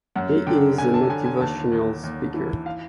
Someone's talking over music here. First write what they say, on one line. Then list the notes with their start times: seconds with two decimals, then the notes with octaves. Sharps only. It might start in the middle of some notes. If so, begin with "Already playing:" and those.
He is a motivational speaker.
0.16 F#2 F#5
0.47 D3 G5
0.78 D3 G#5
0.94 A5
1.10 D3 G#5
1.25 G#5
1.41 D#2 A5
1.72 D#2
2.04 D#2
2.34 E3
2.66 F5